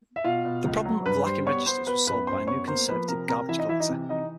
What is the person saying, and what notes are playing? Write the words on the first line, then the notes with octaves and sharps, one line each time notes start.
The problem of lacking registers was solved by a new conservative garbage collector.
E5
B2 F4 F5
B2
C#2
F#3
G2 B4 B5
G3 C5 C6
B3 C#5 C#6
B3 C5 C6
B3 B4 B5
F#2 B4 B5
F#2 C5 C6
B3 C#5 C#6
A#3 C5 C6
F3 B4 B5
C3 A#4 A#5
C3 A#4 A#5
E3 E4 E5
D#4 D#5
E3 E4 E5
D#4 D#5
C3
E3 D#4 D#5